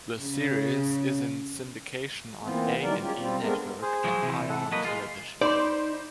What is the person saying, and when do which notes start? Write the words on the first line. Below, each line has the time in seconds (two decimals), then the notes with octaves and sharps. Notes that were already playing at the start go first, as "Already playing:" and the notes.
The series is in syndication on A and E Network, and Ion Television.
0.18 C#3
2.42 A#2 E3 B3 C4 F4
2.82 D#3 E3 F#3 G3 A#4 D5
3.01 G#3 C#4 F4 G4
3.17 G3 C4 F4
3.40 G#3 A3 B3 C4 D4 A#4
3.82 G#4 C5
4.05 F3 F#3
4.22 C3 E3
4.49 A4 F#5
4.72 F#3 A#3 B4 D#5
4.85 G#3 F4
5.41 D#4 C5 D5 B5 C6